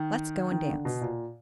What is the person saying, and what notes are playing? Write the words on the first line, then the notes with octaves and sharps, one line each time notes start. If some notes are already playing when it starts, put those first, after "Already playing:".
Let's go and dance.
Already playing: D#3
D#3
D3
B2
A#2